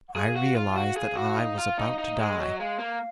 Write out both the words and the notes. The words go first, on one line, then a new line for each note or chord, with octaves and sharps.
I realized that I was about to die . . .
F#5
G#4 F5
F#4
F4
F#4
G#4
F#4
D#4
F4
D#4 F5
D#4
G#3 D#5
F#3
G#3 F5
A#3